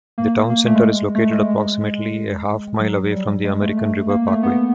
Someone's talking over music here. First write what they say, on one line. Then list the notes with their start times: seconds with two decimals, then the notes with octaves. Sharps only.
The town center is located approximately a half-mile away from the American River Parkway.
0.18 A#3
0.50 A#3
0.66 A3
0.75 G#3
1.15 A3
1.32 G#3
1.49 G#3
1.81 G#3
2.80 F#3
3.11 G3
3.45 G#3
3.61 A3
3.77 A3
4.10 A#3
4.27 A3
4.43 B3